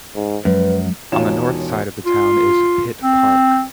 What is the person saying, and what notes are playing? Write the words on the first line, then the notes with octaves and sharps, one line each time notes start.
On the north side of the town is Pitt Park.
G#2
F#2 F3 F#3 G#3 B4
E1 D#4 F4 C#5 E7
F4
C4